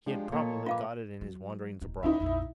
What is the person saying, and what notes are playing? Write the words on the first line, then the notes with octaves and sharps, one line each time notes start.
He had probably got it in his wanderings abroad.
F3 G#3 D4 G4
A#2 A4 C#5 D#5
F4 B4 F5 D6
F#3
D1 D#4
D2 D3 D#4 E4 E5
A#1 F2